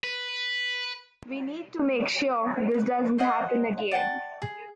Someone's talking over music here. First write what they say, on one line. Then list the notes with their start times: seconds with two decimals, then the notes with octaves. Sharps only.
We need to make sure this doesn't happen again.
0.04 B4
2.74 B4
3.18 C5 D#5 F#5 G#5
3.91 D5 F#5 G5 A5
4.42 G#4